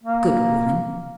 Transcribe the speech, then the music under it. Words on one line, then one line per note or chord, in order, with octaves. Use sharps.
Good woman!
A#3